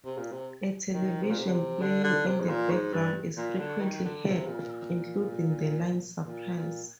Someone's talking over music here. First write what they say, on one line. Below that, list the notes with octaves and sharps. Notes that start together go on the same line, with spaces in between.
A television playing in the background is frequently heard, including the line, Surprise!
C3
A#2
C3
D#3
C3
A#2
C3
D3
C3
D3
D3
C3
G#2
A#2
G#2
G2
A#2
D3
D#3
D3
C3
A#2
A#2
A#2